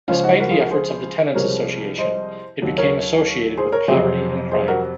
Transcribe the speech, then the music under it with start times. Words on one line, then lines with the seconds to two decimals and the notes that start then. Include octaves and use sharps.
Despite the efforts of the Tenants Association, it became associated with poverty and crime.
0.08 C#2 C#3 F3 C#4 F4
0.23 D#4 F#4
0.40 F#4 A#4
0.51 F4 G#4
0.60 F#4 A#4
0.71 G#4 C5
1.34 C2 C3 F3 G#3 A#4 C#5
1.98 C5 D#5
2.62 D#2 D#3 F#3
2.78 A#4 C#5
3.57 G#4 C5
3.72 A#4 C#5
3.88 F2 C3 F#3 G#4 C5
4.51 G#4 C5
4.68 F#4 A#4